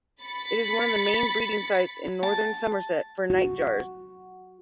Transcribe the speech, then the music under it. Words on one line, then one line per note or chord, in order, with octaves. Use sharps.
It is one of the main breeding sites in northern Somerset for nightjars.
B5 A6 B6 C#7
A5
F#4